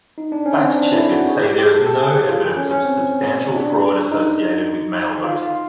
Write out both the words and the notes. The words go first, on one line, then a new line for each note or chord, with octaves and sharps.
Fact checkers say there is no evidence of substantial fraud associated with mail voting.
D#4
D4
C#4
C4
D4
E4
F#4
G#4
G4
G4
A4
A4
G#4
G4
F4
C#4
C#4
C4
D4
D#4
F4
F4